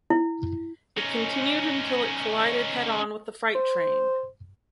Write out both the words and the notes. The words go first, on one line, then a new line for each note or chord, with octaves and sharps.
It continued until it collided head-on with the freight train.
E4
C#4 D#4
C5